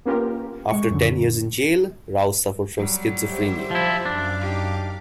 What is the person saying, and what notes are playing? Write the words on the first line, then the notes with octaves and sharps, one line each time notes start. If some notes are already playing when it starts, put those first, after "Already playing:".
After ten years in jail, Rao suffered from schizophrenia.
A#3 B3 C#4 F4 G4 A#4
G#3 C#6
F#2 D3
F#3 G3
G4 C5 E5
F3 E4
F#2 D4 F5 D6
D#4 G4